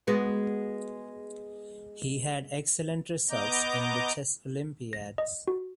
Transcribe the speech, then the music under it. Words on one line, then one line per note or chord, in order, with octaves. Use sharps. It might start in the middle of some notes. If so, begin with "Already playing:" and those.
He had excellent results in the Chess Olympiads.
G#3 B3 F#4
B3 D#5 A#5 D6 G6
A#6
D#5
F#4